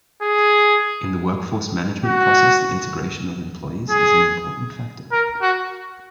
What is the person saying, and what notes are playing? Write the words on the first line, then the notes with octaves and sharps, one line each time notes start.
In the workforce management process, the integration of employees is an important factor.
G#4
F#4
G#4
A#4
F#4